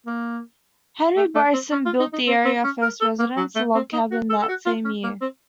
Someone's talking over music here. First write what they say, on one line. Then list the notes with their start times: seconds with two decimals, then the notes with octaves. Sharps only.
Henry Bryson built the area's first residence, a log cabin, that same year.
0.06 A#3
1.16 A3
1.35 A3
1.53 C4
1.72 C#4
1.85 F4
2.00 D#4
2.13 D#4
2.27 C4
2.45 C4
2.64 C#4
2.82 A#4
3.01 A4
3.19 A#3
3.37 F#3
3.55 A3
3.75 C4
3.93 D#4
4.11 F#4
4.29 A4
4.41 A4
4.48 F#4
4.66 F4
4.84 C#4
5.03 A#3
5.21 C4